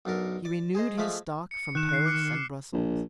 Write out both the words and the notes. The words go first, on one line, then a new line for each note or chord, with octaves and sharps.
He renewed his stock from Paris and Brussels.
B1 F#2 D4 A#4
D5
G#4 C5 D#5
F3 G#3 A3 E5
C#7
D#3 F#6 E7
F#6 C7
D6 F6 C#7
A#1